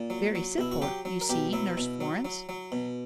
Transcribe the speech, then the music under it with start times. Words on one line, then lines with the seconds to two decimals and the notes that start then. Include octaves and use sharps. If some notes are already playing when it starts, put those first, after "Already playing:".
Very simple, you see, Nurse Florence!
Already playing: A#2
0.10 F#3
0.35 F#3
0.58 B2 E4
0.72 F#4
0.82 F#3 G4
1.05 F#3
1.21 A#4
1.29 B2 G4
1.53 F#3 E4
1.78 B2
2.00 F#3
2.25 F#3
2.49 F#3
2.72 B2